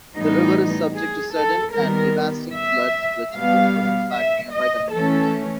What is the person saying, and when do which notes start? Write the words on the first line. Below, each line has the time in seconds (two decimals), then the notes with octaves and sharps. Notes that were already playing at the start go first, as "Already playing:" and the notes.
The river is subject to sudden and devastating floods which often impact nearby communities.
0.15 A2 E3 G3 B3 D#4
0.94 G#4
1.34 A4
1.74 D#3 G3 B3 A#4
2.54 E5
3.33 B2 G3 B3 F5
4.13 E5
4.52 D#5
4.92 E3 A3 C#4 A4